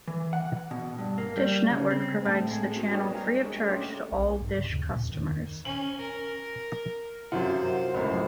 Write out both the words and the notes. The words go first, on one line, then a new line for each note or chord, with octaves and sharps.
Dish Network provides the channel free of charge to all Dish customers.
E3
F#5
B2
G2
A#3
G3
C#3
C4
A2
G#3
A#3 C4 F#4 G#4
B3 D4 G4 C#5 D#5 A5
G3 G4 A#4 F5 G#5 A#5
G#3 A#3 G#4 C#5
A3 C#4 G4 C5 D5 F#5
B1
G2
C#3
D#2
A#2
F2
D#3
C#4 F#7
A#4
F#2 C3 F#3 F4 C5 F#5
C#2 F#2 A2